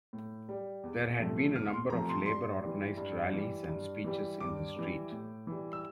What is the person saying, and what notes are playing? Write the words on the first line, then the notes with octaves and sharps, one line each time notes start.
There had been a number of labor-organized rallies and speeches in the street.
A2
G3
E2
C3 F3 A3
E2 F6
C6
C3 F3 A3 A#5
C6
G2 C6
E3 G3
G2
E3 G3
G2
E3 G3
G2 D6
E3 G3
A2
E3 G3
E6